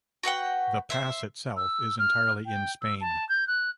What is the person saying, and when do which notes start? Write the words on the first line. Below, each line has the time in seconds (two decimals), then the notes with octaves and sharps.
The pass itself is entirely in Spain.
0.23 F#4 B4 F#5 G5
0.90 C5 E5
1.57 E6
1.99 F6
2.45 G5
2.82 E6
3.01 A5
3.29 G6
3.47 F#6